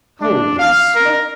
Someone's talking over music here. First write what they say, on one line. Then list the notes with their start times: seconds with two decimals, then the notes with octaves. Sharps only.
Holy smoke!
0.21 D4
0.58 F5
0.94 A#4